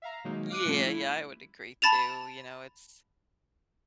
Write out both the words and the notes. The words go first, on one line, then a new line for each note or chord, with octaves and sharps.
Yeah, yeah, I would agree too, you know, it's
E5 F5 A#5
B2 D#3 F#3 G#3 A#3 D#4
F5 D6 F#6 D#7
A#2 F3 G3 A3 C#4 F4
E4
A5 B5 A6 E7 F7